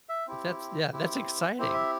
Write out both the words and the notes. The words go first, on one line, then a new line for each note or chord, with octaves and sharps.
But that's, yeah, that's exciting.
E5
C4 E4 G4
C4 E4 G4
C4 E4 G4 C5
E5